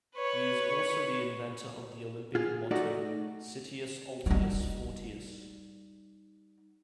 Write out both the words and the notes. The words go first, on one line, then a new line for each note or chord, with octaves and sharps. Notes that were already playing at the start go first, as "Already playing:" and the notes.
He is also the inventor of the Olympic motto "Citius altius fortius".
B4 C#5
F4 G#4
A3 D#4 F#4 D5
G3 D#4